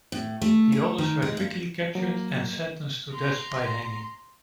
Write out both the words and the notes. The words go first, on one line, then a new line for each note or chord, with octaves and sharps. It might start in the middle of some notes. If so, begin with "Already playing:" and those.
The others were quickly recaptured and sentenced to death by hanging.
A2
A3
A3
D#3
G#3
G2
F#3 A#3
A#5 C6